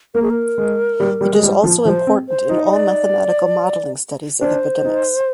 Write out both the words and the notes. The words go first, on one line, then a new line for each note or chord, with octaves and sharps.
It is also important in all mathematical modelling studies of epidemics.
A#3 A#4
G#4
A#4
G#3
G3
G3
G#3
G3
F3
F3 C5
C4
C5
D#4
D5
D4 C5
D#4